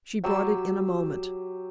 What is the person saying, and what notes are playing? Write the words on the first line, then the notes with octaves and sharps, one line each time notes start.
She brought it in a moment.
F#3 G4 E6